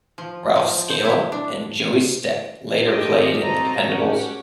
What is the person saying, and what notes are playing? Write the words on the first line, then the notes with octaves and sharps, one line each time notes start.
Ralph Scala and Joey Stec later played in The Dependables.
F3
F3
C5
E4
D4
D4 F4 G4 A4 D#5
C4 F#4 D#5 A5 A#5
C#4 F#4 G4 F#5